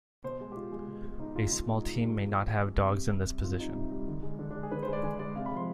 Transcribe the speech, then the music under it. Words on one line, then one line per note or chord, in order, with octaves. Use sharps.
A small team may not have dogs in this position.
B2 C5
G#3
G4
B2 F4
G#3
B2
G#3
B2 D#4
G#3 F4
B2 F4
G#3 D#4
B2 F4
G4
G#3
F4
B2
G#3
B2
G#3
C3 G4
G3
C3
G3
C3 F4
G3 D#4
C3
G3
D3
G#3
D3 D4
D4
G#3
G#4
D3 B4
C5
G#3 D5
D3 G#5
G#3 D5
C3 F5
B5
F3 G#3 C6